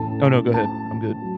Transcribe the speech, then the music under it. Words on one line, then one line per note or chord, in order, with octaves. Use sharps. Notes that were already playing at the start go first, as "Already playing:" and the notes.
Oh, no, go ahead. I'm good.
Already playing: A2 E3 A3 C#4 A5
A5
F#3